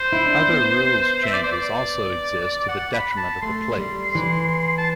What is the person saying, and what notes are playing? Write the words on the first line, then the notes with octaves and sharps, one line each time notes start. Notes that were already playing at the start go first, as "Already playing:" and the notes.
Other rules changes also exist to the detriment of players.
Already playing: C5
E4
D4
C4
B3
E5
D5
C5
D5
F#5
B5
A5
A3 C6
G3
E3
A5